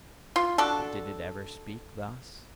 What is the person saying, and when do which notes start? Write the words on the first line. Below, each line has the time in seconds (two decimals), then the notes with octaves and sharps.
But did it ever speak thus?
0.36 F4
0.58 D4 F#4 A4